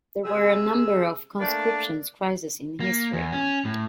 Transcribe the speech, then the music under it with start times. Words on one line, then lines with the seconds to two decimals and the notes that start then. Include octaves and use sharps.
There were a number of conscription crises in history.
0.25 C3 G#4 E6
1.40 A3 A#3 D4 D5
2.80 A#3
3.13 E2
3.32 C#4
3.65 A2